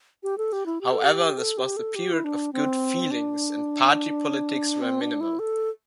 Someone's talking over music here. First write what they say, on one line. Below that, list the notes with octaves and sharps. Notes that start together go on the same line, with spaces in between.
However, this was the period of good feelings, and party politics were minimal.
G4
A4
G4
E4
G4
A4
G4
A4
G4
A4
G4
E4
D4
C4
D4
C4
D4
E4
A4